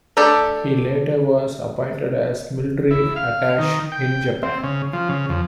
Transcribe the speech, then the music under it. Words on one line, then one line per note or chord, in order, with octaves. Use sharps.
He later was appointed as Military Attache in Japan.
A3 D4 G4 A4 D5
E4
F5
D#3
G5
C4
C#3
F3
C#3
F2